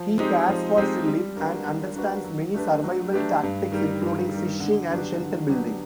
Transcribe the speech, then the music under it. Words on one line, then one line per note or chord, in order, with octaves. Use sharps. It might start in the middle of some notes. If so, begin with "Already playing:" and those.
He cares for Phillip and understands many survival tactics including fishing and shelter-building.
Already playing: F3
G#3 C4 D#4 G4
F3
G#3 C4 D#4 G4
G3
A#3 D4 F#4 B4
G3
A#3 D4 F#4 B4
F#3
A3 D4 G4 B4
F#3
A3 D4 G4 B4
G2
D#3 G3
G2
D#3 G3
D3
F#3 B3 D4 G4
D3
F#3 B3 D4 G4